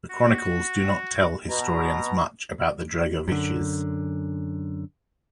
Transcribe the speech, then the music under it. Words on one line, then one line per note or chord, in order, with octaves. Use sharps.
The chronicles do not tell historians much about the Dregoviches.
F#4
B2 A#5
F#2 D3